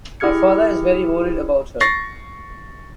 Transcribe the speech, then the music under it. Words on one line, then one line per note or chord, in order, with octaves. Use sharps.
Her father is very worried about her.
E4 G4 G#4 F6 G#6 C#7
C#6 A6 A#6 C7